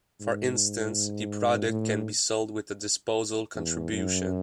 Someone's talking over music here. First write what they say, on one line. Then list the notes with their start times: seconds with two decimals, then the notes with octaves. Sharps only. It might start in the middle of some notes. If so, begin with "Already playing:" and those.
For instance the product can be sold with a disposal contribution.
0.21 G#2
1.69 A2
3.55 E2
3.92 F#2